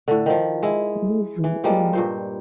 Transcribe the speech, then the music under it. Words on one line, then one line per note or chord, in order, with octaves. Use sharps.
Moving on.
A2 D3
D#3 F3
G#3 E4
E3
F3 G3 G#3 A#3
G2 A#2 C5